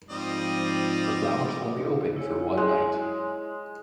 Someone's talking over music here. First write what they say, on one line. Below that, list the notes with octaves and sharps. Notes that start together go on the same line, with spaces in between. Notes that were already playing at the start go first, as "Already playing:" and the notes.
The flowers only open for one night.
G#2 F3 G3 C4 F4 D5 D#5 D#6
E4 C#5 G#5
G#3